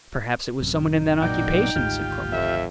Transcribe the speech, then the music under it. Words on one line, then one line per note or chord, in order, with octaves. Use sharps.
"Perhaps it was some one in that occupation," said Cromwell.
A1 F#2 C3
D#4
A#2 F#3 D5 G5
G#1 D2 G#2 F4 G4
F2 E5